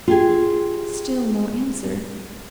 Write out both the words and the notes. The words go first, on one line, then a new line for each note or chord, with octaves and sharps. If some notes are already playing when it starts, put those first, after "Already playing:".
Still no answer.
F4 G4 G#4